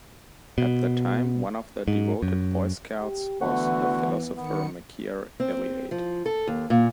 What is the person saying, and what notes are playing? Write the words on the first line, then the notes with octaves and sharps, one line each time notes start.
At the time, one of the devoted Boy Scouts was the philosopher Mircea Eliade.
B2
G#2
F#2
G4
D3 E3 A3 B3 F#4
D#3 B3 C#7
C4
F3
A4
D#2
A#2